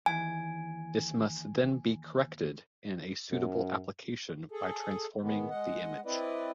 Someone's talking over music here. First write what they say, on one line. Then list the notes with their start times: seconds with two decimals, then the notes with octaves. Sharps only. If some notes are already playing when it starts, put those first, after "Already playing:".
This must then be corrected in a suitable application by transforming the image.
0.06 D#2 E3 G#5
3.31 F#2
4.51 G#4 A4
5.21 D#3 G#3 B3
5.50 G#3 D#5 F#5
6.05 C4 E4 B4 D5 D#5